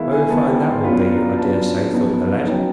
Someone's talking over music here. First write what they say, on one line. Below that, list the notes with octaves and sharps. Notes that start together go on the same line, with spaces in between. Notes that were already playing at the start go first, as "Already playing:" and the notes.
"Very fine that will be, I dare say," thought the lad.
Already playing: D#3 G#3 B3 E4 E5 F5
G#5
D#3 G#3 B3 E4 A5
G5
A5
C6
C#3 F#3 B3 D4 F4 B5
A#5
C#3 F#3 B3 D4 F4 A5
F2 C#3 F#3 B3 D#4
C#3 F#3 B3 D#4 G5